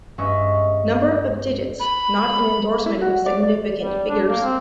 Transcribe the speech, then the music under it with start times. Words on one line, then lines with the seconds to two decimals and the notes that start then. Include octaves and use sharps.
Number of digits not an endorsement of significant figures.
0.18 G2 G#3 C#4 D#5 E5 C#6
1.80 B5
2.86 E4
3.01 F#4
3.26 D5
3.43 D5
3.81 G3
4.09 D4
4.29 A#3
4.43 C4